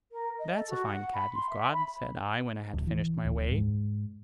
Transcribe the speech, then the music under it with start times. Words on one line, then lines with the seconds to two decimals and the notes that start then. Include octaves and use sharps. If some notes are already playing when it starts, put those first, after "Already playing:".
"That's a fine cat you've got," said I, when I had finished my whey.
0.12 A#4
0.39 D#5
0.57 A4
0.70 F#4
0.85 F#5
1.14 B5
1.34 C6
1.50 E5
1.73 B5
2.73 D1
2.87 E3
3.25 D1
3.52 G#2